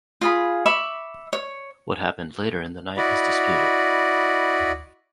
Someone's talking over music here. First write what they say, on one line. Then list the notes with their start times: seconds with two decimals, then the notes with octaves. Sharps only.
What happened later in the night is disputed.
0.21 F4 G#4 B5
0.66 E5 B5 C#6 D6
1.33 C#5
2.97 E4 F#4 D5 D#5 B5